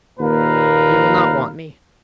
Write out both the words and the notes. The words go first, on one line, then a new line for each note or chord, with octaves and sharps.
"He will not want me."
D#2 A#2 B4 F5 A#5